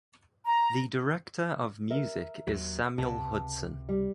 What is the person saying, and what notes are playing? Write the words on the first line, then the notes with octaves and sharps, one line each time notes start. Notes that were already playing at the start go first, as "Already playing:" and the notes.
The Director of Music is Samuel Hudson.
A#5
A#4 E5
D#2 F#3
C#2 C3 B3 A5
G3